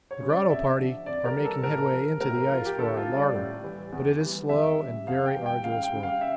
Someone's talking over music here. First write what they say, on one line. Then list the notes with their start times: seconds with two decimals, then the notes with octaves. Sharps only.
The grotto party are making headway into the ice for our larder, but it is slow and very arduous work.
0.11 C#5
0.20 C#3 G3
0.30 D5
0.49 F2 E5
0.78 D3 F3
1.06 F2 D5
1.25 A#4
1.35 E3 G3
1.45 A4
1.63 A2 A#4
1.92 F3
2.21 A2 A#4
2.50 F3 F4
2.65 G4
2.79 D2 A4
2.97 F4
3.06 C#3
3.12 G3
3.17 D5
3.35 A2
3.63 E3 G3
3.93 E2
4.21 E3 G3
4.49 E2 E5
4.78 C#3 G3
5.07 F2 F5
5.26 G5
5.36 E3 G3
5.46 G5
5.64 C#2 F5
5.83 G5
5.94 C#3 G3
6.03 F5
6.21 E5